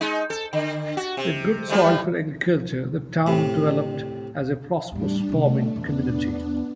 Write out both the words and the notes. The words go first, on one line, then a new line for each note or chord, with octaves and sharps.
With good soil for agriculture, the town developed as a prosperous farming community.
G#3 D#4
A4
D3
F#4
C3
F3 G3 A3
A2 C3
E2 A2 G3 D4
C3 A3 C#4
E2 B3 D4